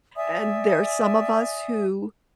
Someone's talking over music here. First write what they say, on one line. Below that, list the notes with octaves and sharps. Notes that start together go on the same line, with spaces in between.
and there are some of us who
D5 E5 G#5 D#6